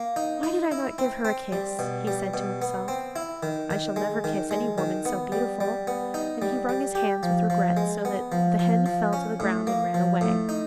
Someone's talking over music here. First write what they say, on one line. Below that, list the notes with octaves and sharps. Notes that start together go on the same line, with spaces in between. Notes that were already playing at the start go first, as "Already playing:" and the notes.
'Why did I not give her a kiss?' he said to himself; 'I shall never kiss any woman so beautiful.' And he wrung his hands with regret, so that the hen fell to the ground and ran away.
Already playing: A#3
D#4
D#4
E4
C4
C4
G3
B2
G3
B2
B3
C4
E4
D#3
D#3
G#3
D#3
G#3
D#3
B3
G3
G3
B3
D#4
G3
G3
G4
F3
F3
G#3
B3
F3
F3
F3
C#4
A2
A#3
F3
A2
D#4